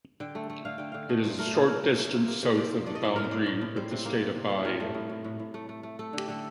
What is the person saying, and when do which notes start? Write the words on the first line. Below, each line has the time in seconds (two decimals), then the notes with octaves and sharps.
It is a short distance south of the boundary with the state of Bahia.
0.20 D3 G5
0.35 A3
0.50 A3
0.65 D3 F5
0.78 D3 G5
0.92 D3 F5
1.09 A3 D#5
1.24 A#2 C5
1.39 A3 A#4
1.53 A#2 A4
1.68 A3 A#4
1.83 A3 A#4
1.98 A#3 A#4
2.13 C3
2.28 A#3
2.43 C3 C5
2.55 C3 D5
2.67 C5
2.72 A#3
2.86 A3 D5
2.95 D#5
3.02 A2 D5
3.16 A2 A#4
3.24 C5
3.31 A2 D5
3.46 A2
3.61 A2
3.76 G3 C5
3.91 C3
4.05 A#3
4.20 C3
4.35 C3
4.50 G3
4.65 A2 A#4
4.80 A3
4.94 A2
5.10 A2
5.24 A2
5.39 A2
5.54 A3
5.69 A3
5.83 A3
5.99 A3 A4
6.13 D3 G4
6.28 D3 A4